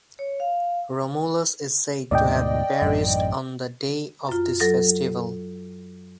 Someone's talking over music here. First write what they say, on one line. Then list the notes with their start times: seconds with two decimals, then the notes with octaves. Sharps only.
Romulus is said to have perished on the day of this festival.
0.19 C#5
0.40 F5
2.11 D2 G#2 B2 D5 D#5 G5
2.82 A1 F#2
4.29 F#2 F4
4.60 F#3 A4 A#6